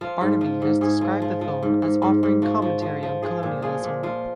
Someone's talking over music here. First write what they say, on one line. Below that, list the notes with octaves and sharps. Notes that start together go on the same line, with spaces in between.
Barnaby has described the film as offering commentary on colonialism.
F3 F4
G#2
F3
G#2
G#2 G#4
F3
F3
F3
G#2
G#2
G#2
G#2
F3 F#4
F3
F3
F3
F3 G#4
A#2
F3 G#4
A#2
F3 F4